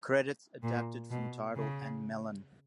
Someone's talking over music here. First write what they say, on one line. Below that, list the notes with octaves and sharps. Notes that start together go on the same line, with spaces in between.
Credits adapted from Tidal and Melon.
A#2
B2
C#3